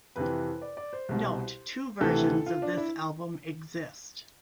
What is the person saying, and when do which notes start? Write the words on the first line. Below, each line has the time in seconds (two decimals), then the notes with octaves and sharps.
Note: Two versions of this album exist.
0.16 F2 C3 E3 B4
0.62 D5
0.77 D5
0.93 C5
1.09 C2 B2
2.00 D2 C3 E3 A4
2.46 F4
2.62 D4
2.77 E4